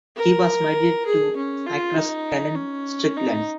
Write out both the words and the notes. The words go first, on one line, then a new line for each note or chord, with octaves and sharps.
He was married to actress Helen Strickland.
A#4
G#4
C#4
F4
D#4
C#4
D#4